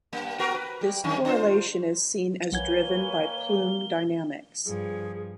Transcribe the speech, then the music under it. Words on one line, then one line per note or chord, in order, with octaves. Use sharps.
This correlation is seen as driven by plume dynamics.
G2 A#3
B3 F#4 A#4
B4
G3
F#2 D#3 C#4
D4 F4 C5
B1 A#3 B4 C#5 F#5 G#5 G#6 G7
G2 F3 G#4